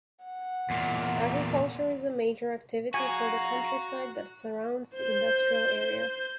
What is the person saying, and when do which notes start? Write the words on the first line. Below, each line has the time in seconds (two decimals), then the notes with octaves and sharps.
Agriculture is a major activity for the countryside that surrounds the industrial area.
0.25 F#5
0.70 E2 A#2
2.94 F#4 F5 G#5 A#5 C#6
4.96 C5 G6